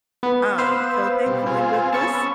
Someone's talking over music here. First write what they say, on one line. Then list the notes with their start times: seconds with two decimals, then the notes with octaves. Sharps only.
Um, so thankfully, with this,
0.23 B3
0.58 B3 B4 C5 F5 E6
1.26 B2 G3
1.46 C4 F4 G#4
1.93 B3 C#4 A5 C#6 E6